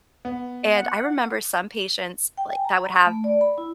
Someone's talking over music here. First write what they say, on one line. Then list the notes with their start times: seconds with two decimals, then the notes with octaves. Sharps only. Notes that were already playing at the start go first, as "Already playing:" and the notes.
and I remember some patients, like, that would have
0.25 B3
0.75 F#5
2.37 G5
2.52 G#5
2.65 A#5
2.84 B5
3.06 A3
3.24 D5
3.41 B5
3.58 E4